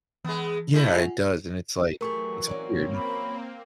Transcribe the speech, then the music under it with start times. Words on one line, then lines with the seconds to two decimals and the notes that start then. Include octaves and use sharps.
Yeah. It does. And it's, like, it's weird.
0.25 E3 G#3 B3
0.74 G#3 A3 E4
0.92 F4 F#5 G#5
2.01 E3 F#3 A3 G4 G#4 A#4 C#6
2.47 F#3 A#3 C4 C#4 D5
2.95 B5